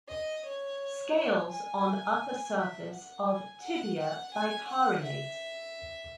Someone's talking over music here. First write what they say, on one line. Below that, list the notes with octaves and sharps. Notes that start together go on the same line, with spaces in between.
Scales on upper surface of tibia bicarinate.
D#5
C#5
C#5
G#5
E5
F#5
G#5
F#5
F#5
G#5
F#5
E5